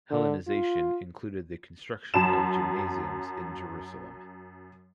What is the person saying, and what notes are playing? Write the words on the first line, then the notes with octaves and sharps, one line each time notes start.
Hellenization included the construction of gymnasiums in Jerusalem.
D3
F4
F#2 A5 E7